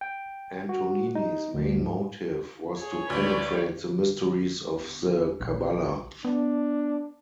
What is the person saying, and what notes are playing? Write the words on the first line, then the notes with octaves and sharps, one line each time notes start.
Antonini's main motive was to penetrate the mysteries of the Cabala.
G5
F#4
D#4
D2
G#2
G#4 C#5
D2 B4 D5
A#1
B3 D4